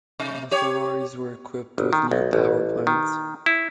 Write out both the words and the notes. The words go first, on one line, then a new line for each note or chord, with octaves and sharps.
The Ferraris were equipped with new power plants.
C3
G4 C#5
G1
D#3
B1
A1
D#3
E4